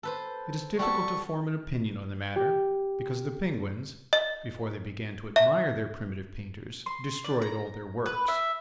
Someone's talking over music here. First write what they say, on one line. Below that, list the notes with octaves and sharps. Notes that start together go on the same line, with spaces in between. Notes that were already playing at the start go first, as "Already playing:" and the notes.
It is difficult to form an opinion on the matter, because the Penguins, before they began to admire their primitive painters, destroyed all their works.
A4 B4 C5
G3 F#4 A4 C#6
G4
D#5
E5
C6
D5
A#5
B4
E5